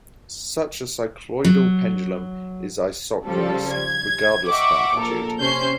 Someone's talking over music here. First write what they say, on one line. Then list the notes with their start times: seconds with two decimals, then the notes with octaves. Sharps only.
Such a cycloidal pendulum is isochronous, regardless of amplitude.
1.44 F#3
3.26 C#3 F3 G3 A4
3.71 G#6
4.48 D#5 E5 F#5 G5 C#6 D6
4.95 A#1 A4 A#4
5.38 C3 C#4 C5 G6 C7